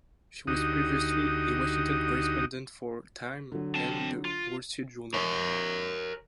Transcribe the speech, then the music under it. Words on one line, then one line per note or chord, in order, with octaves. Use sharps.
She was previously a Washington correspondent for "Time" and "The Wall Street Journal".
D2 D#4 F#4 G4 D#6
D3 F#3
C4 A5
F4
A#4 C#5